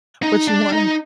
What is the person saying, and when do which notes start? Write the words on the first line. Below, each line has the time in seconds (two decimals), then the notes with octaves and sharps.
but you wanna
0.23 D#4
0.48 D4
0.72 D#4